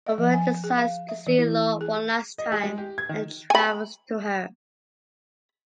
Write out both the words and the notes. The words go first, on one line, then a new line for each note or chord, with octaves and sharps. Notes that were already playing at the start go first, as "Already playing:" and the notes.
Robert decides to see Lore one last time and travels to her.
D#5
F3
G#5
G#4
F5
E5
E3
E4
G#4
D#5
G#4
G#3
G4
G#6
D#3
G#5 B5